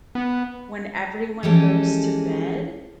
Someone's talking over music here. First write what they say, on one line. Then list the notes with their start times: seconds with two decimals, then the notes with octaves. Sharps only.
when everyone goes to bed
0.15 B3
1.43 E3 F3 G#3 C#4 G4 A4